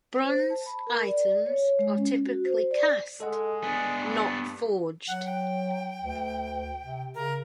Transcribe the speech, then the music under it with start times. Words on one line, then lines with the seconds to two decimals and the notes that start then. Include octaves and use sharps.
Bronze items are typically cast, not forged.
0.24 C5
0.50 A5
0.66 B5
0.87 A#4
1.06 D5
1.46 C#5
1.79 G#3
1.97 C#4
2.26 F#4
2.45 C5
2.71 D5
3.20 G#3 A4 D#5 F#5
3.64 B3 D4 G#5
3.99 G2
5.08 F#3 F#5
5.26 G5
6.01 D2
6.84 C3
7.15 C#3 A#4